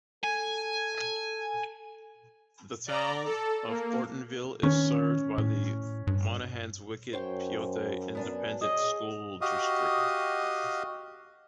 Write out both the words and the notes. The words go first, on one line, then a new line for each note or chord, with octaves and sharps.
The Town of Thorntonville is served by the Monahans-Wickett-Pyote Independent School District.
A4 G#5
D5 A#5
A4
A#3
D#3 C#4
A2
G2
F#2 C5 C#5 G5
B3 D4 G#5
G#4 C#5 D#5
F#4 G4 D#5 F5 D#6